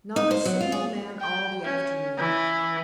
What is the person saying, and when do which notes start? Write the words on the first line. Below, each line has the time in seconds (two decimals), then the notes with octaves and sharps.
Not a single man all the afternoon.
0.16 D#4
0.31 C5
0.45 F#3
0.61 F4
0.72 G#4
1.21 G5
1.64 C#4
2.17 E3